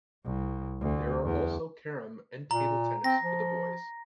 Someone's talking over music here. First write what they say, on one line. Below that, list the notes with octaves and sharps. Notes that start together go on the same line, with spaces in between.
There are also carrom and table tennis for the boys.
C2
D2
E2
A#2 A#5
C4 A#6
F3